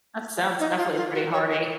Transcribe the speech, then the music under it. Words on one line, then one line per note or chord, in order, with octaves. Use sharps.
that sounds definitely pretty hearty.
D#4
F4
F4
F#4
C#5
D#5